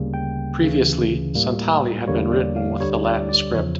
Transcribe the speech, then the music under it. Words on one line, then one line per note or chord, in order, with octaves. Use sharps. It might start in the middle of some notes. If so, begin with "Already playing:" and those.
Previously, Santali had been written with the Latin script.
Already playing: D2 C#3 G3 A#3
G5
D2 C#3 E3
A2 G3 A#3
E2 D3 G3 A#3 C#5
D5
F5
D2 D3 G3 C#5
D5
D5
E2 C#3 F3 C#5